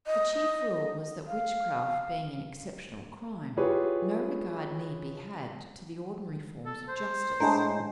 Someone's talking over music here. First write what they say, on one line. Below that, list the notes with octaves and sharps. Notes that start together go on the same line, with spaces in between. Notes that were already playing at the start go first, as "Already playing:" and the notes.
The chief rule was that witchcraft being an "exceptional crime," no regard need be had to the ordinary forms of justice.
D#5
F5
E4 F4 G4 G#4 B4 C#5
A4
C5
A2 G#3 D4 A#5